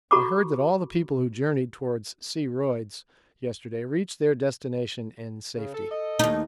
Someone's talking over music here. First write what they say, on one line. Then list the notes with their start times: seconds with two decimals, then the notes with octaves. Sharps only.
I heard that all the people who journeyed towards C. Royds yesterday reached their destination in safety.
0.11 F#4 A4 A#5 B5 C#6 D6
5.56 C#3
5.74 A4
5.90 A4 D#5
6.19 D#2 D#4